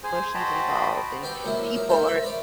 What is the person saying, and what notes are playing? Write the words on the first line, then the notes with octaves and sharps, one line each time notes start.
promotions involved, and people are
G#4 C5 G#5
F#4 C5 D#5 G5 A5 B5
C4 G4 B4
F#3 A#3 E4
F3 A#4
A3 A#4 C5 E5
E5
B4 C#5 D5